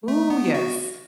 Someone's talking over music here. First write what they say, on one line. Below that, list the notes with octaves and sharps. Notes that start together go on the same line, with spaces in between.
Ooh, yes.
A3
B3
F#4